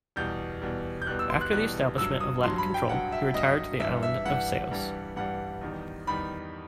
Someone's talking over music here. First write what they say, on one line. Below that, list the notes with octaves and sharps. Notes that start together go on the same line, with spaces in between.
After the establishment of Latin control, he retired to the island of Ceos.
E2 B2 G3 G6
E2 B2 G3
G6
E2 B2 G3 F#6
E6
C6
F#6
E2 B2 G3 F#6
G2 F#3 E6
D#6
G2 F#3 C6
B5
G5
G2 F#3 F#5
E5
G2 F#3 D#5
G2 E3 G3 E5
E5
G2 E3 G3 F#5
G2 E3 G3
G2 E3 G3 F#5
E2 D#3 G3
E2 D#3 G3 B5